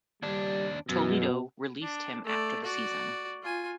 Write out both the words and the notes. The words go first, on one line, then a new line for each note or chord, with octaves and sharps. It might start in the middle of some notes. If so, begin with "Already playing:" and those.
Toledo released him after the season.
D#2 G3 D4
F#2 B2
D4
A3 D5
F#4 D5
F4 G#5